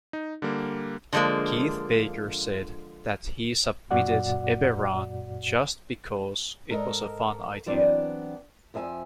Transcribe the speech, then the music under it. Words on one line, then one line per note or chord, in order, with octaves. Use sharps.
Keith Baker said that he submitted Eberron just because it was a fun idea.
D#4
D3 G3 A#3
D3 F3 F#3 G#3 A#3
F#2 A#2 F#4 D5 F#5
G#2 A4 A#4 D#5
E3 F#3 B3 C4 D4 D5
F2 F3 E5 G#5